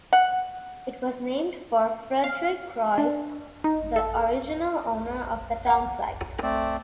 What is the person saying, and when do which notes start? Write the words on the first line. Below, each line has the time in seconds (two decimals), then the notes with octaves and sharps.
It was named for Frederick Royse, the original owner of the town site.
0.13 F#5
2.24 F5
2.98 D4
3.64 D#4
3.96 A4
5.67 F#5 A#5
6.43 A3 C4 D5